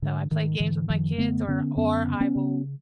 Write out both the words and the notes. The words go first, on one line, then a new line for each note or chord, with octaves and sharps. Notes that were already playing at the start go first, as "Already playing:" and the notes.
So, I play games with my kids or or I will,
G#2 D3
G#2 D#3
G#2 D3 E3
F#2 D#3 F3
D3 A3 B3
D3 B3 C#4
F#2 B3 C#4
C#3
B3 C#4
C#3